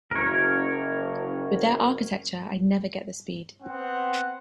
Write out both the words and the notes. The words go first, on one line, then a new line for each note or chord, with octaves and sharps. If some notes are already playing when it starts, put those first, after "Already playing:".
With their architecture I'd never get the speed.
F#1 A#4 C#5
B3 C4 F#5